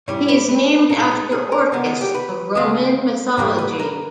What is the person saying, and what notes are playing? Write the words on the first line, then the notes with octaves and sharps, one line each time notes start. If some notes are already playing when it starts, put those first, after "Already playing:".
He is named after Orcus of Roman mythology.
G#2 G3 C#4 E4 C#5
B4
B4
B1 A#2 G#3 D#4 A#4
G#4
G#4
A#4
C#3 G#3 B3
G#4
G4
B4
C#2 C#3 G#3 B3
G#2 G3 A#3 A#4
B4
A#4